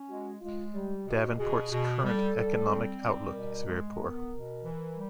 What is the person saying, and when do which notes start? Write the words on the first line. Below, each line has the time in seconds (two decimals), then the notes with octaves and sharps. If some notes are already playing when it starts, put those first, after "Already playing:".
Davenport's current economic outlook is very poor.
Already playing: C#4
0.08 G#3 F#4
0.40 G#3 F4
0.73 G3 G4
1.06 B2
1.38 B2 G#4
1.71 B2
2.03 G3 A4
2.35 G3
2.67 C4
3.00 G3
3.33 B2 A#4
3.66 G#3
3.97 B3 A#4
4.30 B2
4.63 E3
4.94 G3